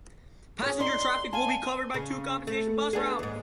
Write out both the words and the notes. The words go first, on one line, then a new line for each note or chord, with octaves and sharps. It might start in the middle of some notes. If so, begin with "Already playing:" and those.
Passenger traffic will be covered by two compensation bus routes.
G#4 C#5
D#4 D5 C6
F5 G#5 A5
C#3
A3
B3 D4 G#4
D#2 G#2